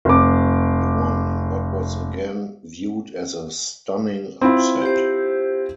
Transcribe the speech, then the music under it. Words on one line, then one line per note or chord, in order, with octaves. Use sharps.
He won in what was again viewed as a stunning upset.
F1 D6
C4 E4 F4
G4 C5